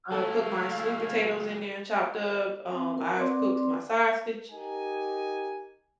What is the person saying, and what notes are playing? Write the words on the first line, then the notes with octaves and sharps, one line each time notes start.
uh, cook my sweet potatoes in there, chopped up, um, I've cooked my sausage,
F#3 G#3 A3 E4 A4 F5
C4
A#4
C4 B4 D5 C6 D6
D#4 G4 A#4 G#5